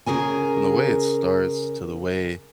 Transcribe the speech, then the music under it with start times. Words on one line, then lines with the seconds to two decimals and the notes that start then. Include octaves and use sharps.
from the way it starts to the way
0.06 C#3 G#4 A#4 G#5